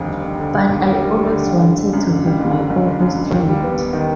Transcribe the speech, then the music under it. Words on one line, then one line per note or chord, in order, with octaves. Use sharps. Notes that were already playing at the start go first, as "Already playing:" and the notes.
But I always wanted to have my own instrument.
Already playing: F1 D#2 D3
G3
F1
D3
D#2
D#2
G3
G3
G3
D3
F#1
D3
F#1
F#2
D3
G3
F#1
D3
F#1
D3
F#2
F#1
D#2
G3
B3
B3
D#3